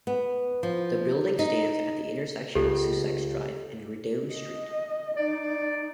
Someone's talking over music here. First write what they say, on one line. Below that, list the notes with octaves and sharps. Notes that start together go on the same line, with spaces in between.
The building stands at the intersection of Sussex Drive and Rideau Street.
B3
F3
D#4
C#2 G4 A4
D#5
D#4 D5